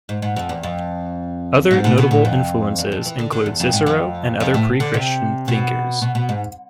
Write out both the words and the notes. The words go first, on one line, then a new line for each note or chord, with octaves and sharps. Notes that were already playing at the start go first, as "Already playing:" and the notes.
Other notable influences include Cicero and other Pre-Christian thinkers.
G#2
G#2
F2
E2
F2
G#2
A2
B2
A2
F2
E2
F2
E3
D3
D3
E2
F2
G#2
F2
F2
A2
D3
C3
B2
B2
B2
G#2